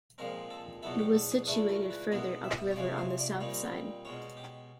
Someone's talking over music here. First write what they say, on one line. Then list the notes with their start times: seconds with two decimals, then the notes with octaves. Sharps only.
It was situated further up river on the south side.
0.18 A#2 F3 G#3 C4 A#4
0.50 A4
0.83 E2 B2 F#3 B3 E4 A4
0.98 G4
1.15 A4
1.31 G#4
1.47 C#2 C#3 E3 A3 D4 A4
1.69 A#4
1.91 B4
2.12 B2 G#3 B3 E4 A#4
2.44 E5
2.71 C#5
2.76 C3 F3 G#3 C#4 D5
2.98 C5
3.19 D5
3.40 A#2 G3 C4 D#4 C#5
4.05 B2 G#3 C#4 C#5
4.37 G4